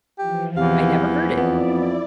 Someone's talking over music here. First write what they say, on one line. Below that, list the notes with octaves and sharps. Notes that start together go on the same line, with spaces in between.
"I never heard it."
E3 F3 G4
E2 C3 F5
F2 B3 E4 D5